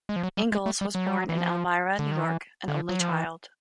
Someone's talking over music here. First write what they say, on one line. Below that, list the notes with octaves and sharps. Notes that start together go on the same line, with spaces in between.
Ingalls was born in Elmira, New York, an only child.
G#3
F3
F#3
G3
G#3
A3
G3
F#3
G3
F#3
E3
F3
D3
D#3
E3
D3
F#3
F3
E3